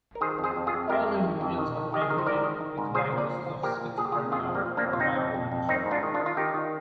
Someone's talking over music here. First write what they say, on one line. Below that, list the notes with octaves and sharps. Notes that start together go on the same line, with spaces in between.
All individuals were admitted with a diagnosis of schizophrenia or bipolar disorder.
A#4
D#3 G#4 C5
F2
G#4 C5
F2
F4 G#4
F2
F2 G4 A#4
F2
D#3
F2
D#3
D#3
D#3 G4
G#4
D#3 A#4
C5
G#2 A#4 D5
D#3
D#3
G#2
F3 G#4 C5
A#2
A#4 D5
F3
F3
A#2 G4 A#4
A#2
A#2 G#4
G4
A#2 F4 G#4
F2 F4 G#4
F3
G3 A#3
F3
A#3 D4
F2
F4
F2 C4 D#4
F2
F2
F2
D#3 C4 D#4
G#2
D4 F4
D#3
D4 F4
D#3
F4
D#3 D#4 G4
D#3